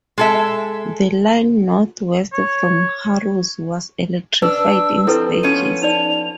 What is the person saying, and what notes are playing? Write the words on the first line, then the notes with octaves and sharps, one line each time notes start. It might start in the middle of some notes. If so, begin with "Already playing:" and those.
The line north west from Harrow was electrified in stages.
G#3 A4 E5
C#5
D4 B4 E6
F3 C4 E4 A4 B4
F3 B3 C#4 D#7
D#4 D5 F7